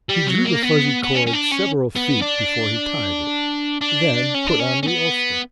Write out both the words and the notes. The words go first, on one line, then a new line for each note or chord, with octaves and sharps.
He drew the fuzzy cord several feet before he tied it, then put on the ulster.
G3
F#3
A#3
B3
B3
C#4
C#4
D4
C#4
B3
D4
D4
C#4
D4
C#4
C#4
B3